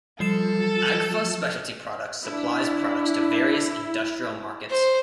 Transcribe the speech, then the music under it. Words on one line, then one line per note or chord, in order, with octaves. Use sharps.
Agfa Specialty Products supplies products to various industrial markets.
F3 G3 A4 C7 E7
D4 E4
C5